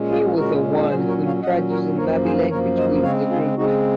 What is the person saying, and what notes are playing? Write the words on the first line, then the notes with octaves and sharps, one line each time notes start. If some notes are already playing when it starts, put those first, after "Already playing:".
He was the one who introduced the Nabi language within the group.
Already playing: A#2 G#3 C#4
F4 G#4
A#2 G#3 C#4 F#4 A#4
A#2 F#3 C#4 G#4 C5
A#4 C#5
C#5 F5
A#2 F#3 C#4 D#5 F#5
A#4 C#5
F#2 F3 A#3 A#4 C#5
G#4 C5
F#2 F3 A#3 A#4 C#5
C5 D#5
C#3 G#3 C4 C#5 F5
F4 G#4
C#3 G#3 C4 D#4 F#4